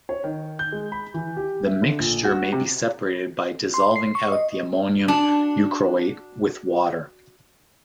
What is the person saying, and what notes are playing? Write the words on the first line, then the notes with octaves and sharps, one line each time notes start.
The mixture may be separated by dissolving out the ammonium euchroate with water.
C#5
D#3
G6
G#3
B5
E3
G4
E5
D3
A#1
F#4
C3
C6
C7
C#6
D#5
D4 F#4 A5